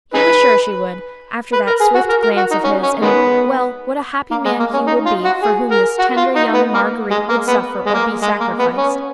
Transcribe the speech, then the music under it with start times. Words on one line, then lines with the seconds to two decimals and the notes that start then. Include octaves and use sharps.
He was sure she would, after that swift glance of his, and--Well, what a happy man he would be for whom this tender young Marguerite would suffer or be sacrificed.
0.14 D#4 G#4 B4
1.53 B4
1.67 A#4
1.80 G#4
1.95 F#4
2.09 A#4
2.23 A#4
2.37 F#4
2.51 D#4
2.64 C#4
2.82 C#4
3.02 D#3 G#3 B3
4.31 A#3
4.45 G#3
4.59 A#3
4.74 C#4
4.87 D#4
5.06 F4
5.24 F#4
5.43 G#4
5.71 A#4
5.99 F#4
6.17 F4
6.36 D#4
6.54 B3
6.74 A#3
7.11 G#3
7.29 A#3
7.48 B3
7.86 G#3
7.94 A#3
8.22 G#3
8.41 A#3
8.59 B3
8.77 C#4